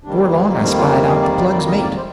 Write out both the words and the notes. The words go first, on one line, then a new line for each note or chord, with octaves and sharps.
Before long I spied out the plug's mate.
F2 C3 D#3 G3 A#3 D4
C4
D4
F4
G4
G#4
D5
D5
D5
D#5
D5
C5